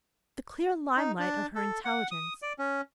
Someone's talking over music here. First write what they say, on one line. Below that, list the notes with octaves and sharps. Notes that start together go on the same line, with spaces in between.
The clear limelight of her intelligence!
D#4
D4
A4
F#5
D#6
D5
C#4